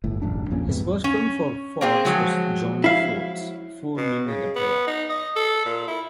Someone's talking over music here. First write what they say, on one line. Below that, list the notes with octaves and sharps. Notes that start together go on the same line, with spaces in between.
His first film for Fox was John Ford's "Four Men and a Prayer".
G1 A2
E1 A1 F#2 D4
A#1 F2 A#2 C#4
E2 G#2 C3 B3
C#4
A#3 C4 G#4
F3 F#3 G#3
E4 F5
B2
C#3
B3
D#4
D#5
A4
A#2
E4